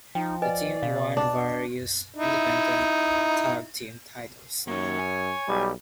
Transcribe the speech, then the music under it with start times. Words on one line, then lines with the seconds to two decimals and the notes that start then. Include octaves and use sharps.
The team won various independent tag team titles.
0.15 F3 D#4 G5
0.42 B4 D5 D#5 G#5
0.83 B2 F5
1.17 D4
2.16 D#4 E4
4.68 F#2 A#3 D#4 C#5
4.99 G#5
5.48 B1 G3